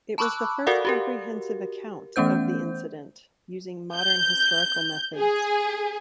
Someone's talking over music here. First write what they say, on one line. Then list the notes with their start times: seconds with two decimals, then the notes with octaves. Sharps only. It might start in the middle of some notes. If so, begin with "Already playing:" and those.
It was the first comprehensive account of the incident using modern historical methods.
0.18 A5 B5 C#6 D6 E6 F#6
0.67 F#4 A4 A#4 D5 F5 F#5
0.85 F#4 G4 A#4
2.16 E3 A3 B3 C#4 C5 G6
3.95 G6
5.17 G#4